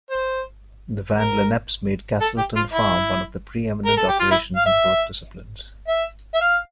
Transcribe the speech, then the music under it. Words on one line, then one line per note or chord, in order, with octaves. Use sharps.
The Van Lenneps made Castleton Farm one of the preeminent operations in both disciplines.
C5
A#4
A4
G4
F4
E4
A#4
A4
G4
F4
E4
F5
E5
E5
E5
F5